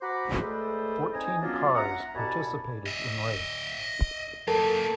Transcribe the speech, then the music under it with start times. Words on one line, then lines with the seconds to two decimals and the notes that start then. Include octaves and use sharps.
Fourteen cars participated in race.
0.02 F#4 C5 F#5 A#5 B5 D6
0.40 G#3 A3 A4 B4 C5 D5
1.14 C4 D#4 C5 D#5 G#5
1.42 F#3 B3 C#4 D4 F4
1.75 E5 F#5 A#5
2.15 C2 B2 D5 G#5 A5 B5
2.86 D#5 E5 A#6
4.48 F#3 A#3 A4 A#4 A5